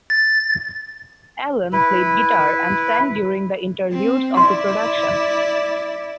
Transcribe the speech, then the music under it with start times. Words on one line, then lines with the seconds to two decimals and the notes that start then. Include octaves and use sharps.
Allen played guitar and sang during the interludes of the production.
0.10 A6
1.73 E4 B4
3.92 C4
4.37 E4 D5 C6